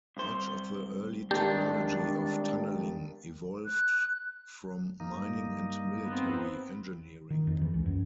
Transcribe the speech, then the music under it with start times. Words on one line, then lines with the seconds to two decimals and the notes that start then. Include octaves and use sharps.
Much of the early technology of tunneling evolved from mining and military engineering.
0.17 C2 C5
1.31 G#2 D#3 G3 D4 G4
3.66 F#6
5.00 G2 G3 A#3 D#4
6.07 B3 C4
7.31 D#3
7.47 F2
7.61 E3
7.74 C#2
7.86 F#2